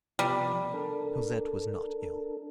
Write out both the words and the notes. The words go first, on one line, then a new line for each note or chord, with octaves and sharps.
Cosette was not ill.
C3 F3 G3 B3
D4 A4 A#4